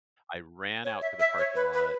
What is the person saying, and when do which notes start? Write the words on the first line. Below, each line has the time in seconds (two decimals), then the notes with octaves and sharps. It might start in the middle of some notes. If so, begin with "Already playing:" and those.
I ran out to the parking lot.
0.85 C#5
1.02 E5
1.20 E5
1.38 C#5
1.55 B4
1.74 B4